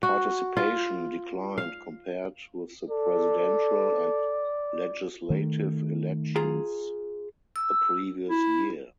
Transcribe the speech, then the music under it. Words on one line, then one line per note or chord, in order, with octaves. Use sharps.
Participation declined compared with the presidential and legislative elections the previous year.
F#4
F4
F5
A4 D5
D#3 A3
F4 G#4 A#5
E6
E4